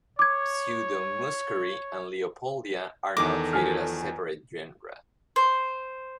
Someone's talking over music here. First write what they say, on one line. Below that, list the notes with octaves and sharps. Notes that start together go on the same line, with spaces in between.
"Pseudomuscari" and "Leopoldia" are now treated as separate genera.
C#5 D6 G#6
E2 D#3 A4 D6 A#6
F3 G#5 F6
C5